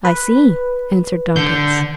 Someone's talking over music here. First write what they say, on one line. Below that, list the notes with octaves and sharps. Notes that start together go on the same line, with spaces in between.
"I see," answered Dantes.
B4
D3 G6